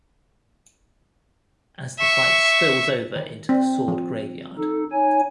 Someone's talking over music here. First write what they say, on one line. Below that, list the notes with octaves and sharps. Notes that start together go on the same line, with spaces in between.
As the fight spills over into the Sword Graveyard.
E5 C#6
D#3
C4
F3
D#4 A4
D#4 C#5 G#5